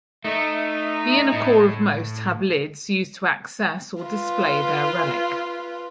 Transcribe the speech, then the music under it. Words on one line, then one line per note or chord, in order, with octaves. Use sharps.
The inner core of most have lids used to access or display their relic.
A3 D#4 E5
A2
F4 B4